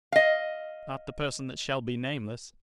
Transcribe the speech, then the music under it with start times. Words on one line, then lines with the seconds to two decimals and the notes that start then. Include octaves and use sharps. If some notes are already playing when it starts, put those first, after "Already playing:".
Not the person that shall be nameless.
0.12 D#5 F5